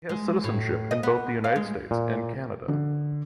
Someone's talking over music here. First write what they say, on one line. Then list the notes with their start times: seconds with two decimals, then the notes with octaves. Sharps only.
He has citizenship in both the United States and Canada.
0.09 G#3
0.44 A2
0.91 D#5
1.03 B3
1.44 F5
1.56 G#3
1.91 A#2
2.68 D3